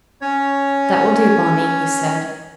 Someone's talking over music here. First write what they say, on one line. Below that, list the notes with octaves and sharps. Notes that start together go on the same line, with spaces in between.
"That will do Bonni," he said.
C#4 C#5